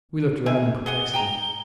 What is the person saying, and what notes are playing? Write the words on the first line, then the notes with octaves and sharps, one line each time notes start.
We looked round in perplexity.
C4 E4 G#5
G#4 F#5 G#5 G7
G5 G#5 A#5